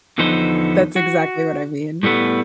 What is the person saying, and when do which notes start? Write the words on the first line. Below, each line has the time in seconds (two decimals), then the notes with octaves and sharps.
that's exactly what I mean.
0.18 E2 D3 F3 B3 D#4 C5
0.96 F#4
2.03 A2 G3 A3 B3